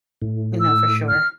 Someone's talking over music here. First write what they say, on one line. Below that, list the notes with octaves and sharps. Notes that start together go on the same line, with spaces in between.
You know, for sure.
A2
E6
F6